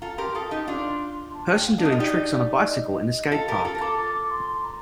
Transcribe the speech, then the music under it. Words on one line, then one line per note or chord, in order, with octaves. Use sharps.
Person doing tricks on a bicycle in a skatepark.
F4 A4 A#5
G4 A#4 C6
F4 A4 D#6
D#4 G4
D4 F4 C6
A5
G5
F5
D4
D#4 D#5
F4
D#4 G4 D5
D#5
F4 A4
G4 A#4 A5
F4 A4 A#5
A#4
F4 A4 D6
D6
D6
C6
C6
A#5